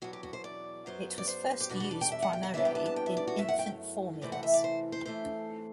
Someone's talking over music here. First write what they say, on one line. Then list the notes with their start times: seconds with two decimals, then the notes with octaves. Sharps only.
It was first used primarily in infant formulas.
0.02 E2 B2 F#3 F#4
0.13 G4
0.23 F#4
0.33 C5
0.44 D5
0.86 F#2 F#3 B3 C5
1.18 D5
1.27 C5
1.60 G4
1.69 E2 B2 G3 D4 F#4
1.80 F#4
1.91 A4
2.01 G5
2.12 E5
2.22 F#5
2.33 G5
2.43 F#5
2.54 C3 E3 G3 B3 D4 E5
2.65 G5
2.75 A5
2.86 A5
2.96 G5
3.06 E5
3.17 D5
3.27 F#4
3.38 F#2 F#3 A3 E4 E5
3.49 F#5
3.59 G5
4.21 C3 E3 A3 C4 E4 D5
4.32 F#5
4.43 E5
4.54 D5
4.64 C5
4.92 C5
5.05 A2 E3 A3 C4 C5